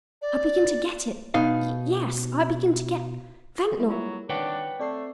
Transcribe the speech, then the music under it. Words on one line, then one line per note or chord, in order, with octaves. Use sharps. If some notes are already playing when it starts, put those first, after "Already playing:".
"I begin to get it--yes--I begin to get--Ventnor!"
D5
B2 D#4 F5
G3 A#3 E4
F#3 F4 G#4 A#4
D#3 D4 B4 C#5 F#5 G5
A3 C4 A4 D5 D6 C7